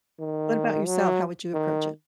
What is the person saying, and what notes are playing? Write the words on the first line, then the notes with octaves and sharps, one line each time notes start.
What about yourself? How would you approach it?
D#3
F#3
D#3